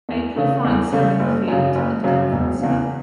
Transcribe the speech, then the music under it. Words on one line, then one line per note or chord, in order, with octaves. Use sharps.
April finds her in the field and comforts her.
E2
C#3 A3
E2
C#3 A3
F#1
F#2 C#3
F#1
F#2 C#3
E1
E2 C#3